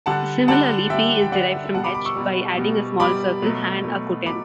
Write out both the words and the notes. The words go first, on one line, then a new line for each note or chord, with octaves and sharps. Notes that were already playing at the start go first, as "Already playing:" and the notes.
Similarly, "p" is derived from "h" by adding a small circle, "handakuten".
D3 G3 F#5 A5
D3 G3 F#5 A5
D3 G3 E5 G5
G5
D3 G3 D5 F#5
B2 G3 F#5 A5
B5 D6
B5 D6
C#6 E6
B2 G3
B2 G3
B2 G3 B5 D6
B2 F#3 A3
B2 F#3 A3
B2 F#3 B5 D6